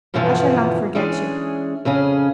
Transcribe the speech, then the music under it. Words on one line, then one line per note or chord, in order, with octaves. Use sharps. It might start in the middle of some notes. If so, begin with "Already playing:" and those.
I shall not forget you.
G2 B2 D3 E3 F3 B3
E3 G#3 C#4 D4 G#4
F2 C#3 C#4 G#4